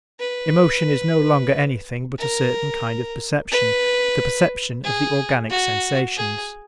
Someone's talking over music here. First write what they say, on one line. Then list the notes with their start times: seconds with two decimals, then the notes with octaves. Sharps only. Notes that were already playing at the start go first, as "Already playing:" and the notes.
Emotion is no longer anything but a certain kind of perception, the perception of the organic sensations.
0.20 B4
2.19 A#4
3.51 B4
4.84 G#4
5.50 F#4
6.17 G#4